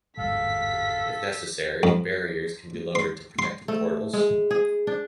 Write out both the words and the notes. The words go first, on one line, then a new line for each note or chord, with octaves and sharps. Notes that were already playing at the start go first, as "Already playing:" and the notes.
If necessary, barriers can be lowered to protect the portals.
G1 E2 G#2 A4 F5 B6
F2
C6
C6
A3
G#3
G#4
D4